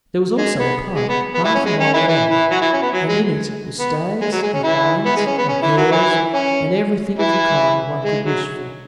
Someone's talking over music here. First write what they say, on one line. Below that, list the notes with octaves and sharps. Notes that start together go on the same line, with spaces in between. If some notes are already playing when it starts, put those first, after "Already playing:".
There was also a park, half a mile long, and in it were stags and hinds, and hares, and everything of the kind one could wish for.
G#3
B3
G#3
B3
B3
E3 E4
C#4
G#3
C#4
E3 E4
E3 E4
E3 E4
F#3 F#4
E3 E4
C#4
B3
F#3
G#3
B3
G#3
F#3
G#3
C#4
E3 E4
B3
G#3
C#4
B3
C#4
E3 E4
F#3 F#4
E3 E4
C#4
E3 E4
G#3
F#3